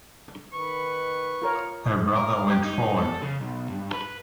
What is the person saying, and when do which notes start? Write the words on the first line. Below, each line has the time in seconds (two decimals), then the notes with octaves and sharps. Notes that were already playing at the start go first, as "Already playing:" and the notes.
Her brother went forward.
0.53 D#3 B4 C#6
1.42 F4 A#4 C#5
2.16 A#4
2.50 G4
2.64 D#4
2.98 A4
3.22 C#3
3.40 B1
3.70 G2
3.93 B4